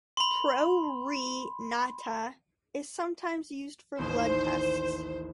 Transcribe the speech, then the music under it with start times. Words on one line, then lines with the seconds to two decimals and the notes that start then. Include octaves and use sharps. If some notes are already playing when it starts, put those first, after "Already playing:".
"Pro re nata" is sometimes used for blood tests.
0.17 B5 C6
3.99 A1 D#2 C5